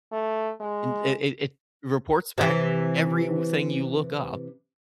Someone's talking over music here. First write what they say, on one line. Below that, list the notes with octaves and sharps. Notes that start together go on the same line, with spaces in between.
It it it it reports back everything you look up,
A3
G#3
C3 E3